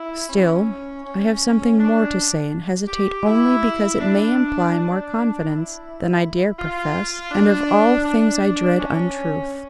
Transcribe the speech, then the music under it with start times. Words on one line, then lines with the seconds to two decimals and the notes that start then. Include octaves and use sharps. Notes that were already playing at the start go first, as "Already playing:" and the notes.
Still I have something more to say, and hesitate only because it may imply more confidence than I dare profess, and of all things I dread untruth.
Already playing: E4
0.29 C#4
1.04 C#4
1.78 D4
2.88 G4
3.26 E4
4.00 D4
4.73 D4
5.47 E4
6.58 F4
7.31 D4
8.05 D4
8.79 C#4